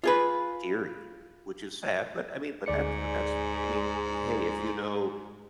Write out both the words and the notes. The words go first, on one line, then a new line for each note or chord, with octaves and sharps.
theory, which is sad, but, I mean, but, that but, that's I mean, hey, if you know
F4 G#4 B4
D2 G#2 G#4 D5 C#7